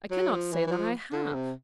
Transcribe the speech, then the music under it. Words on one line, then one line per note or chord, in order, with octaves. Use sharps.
I cannot say that I have.
F#3
F3
E3
E3
F3
D3
C3